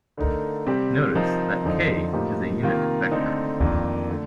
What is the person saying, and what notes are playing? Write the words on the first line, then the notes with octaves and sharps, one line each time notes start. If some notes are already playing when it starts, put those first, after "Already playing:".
Notice that k is a unit vector.
D3 A3 D#4 A#4
C3 G3 C4 G4
C3 F3 C4 D#4 A#4
F2 D3 F3 C4 D#4
A2 F3 A#3 D#4 G4
C3 D#3 A#3 F4
D3 A3 C4 D#4
F2 D#3 A#3 D4
D3 A3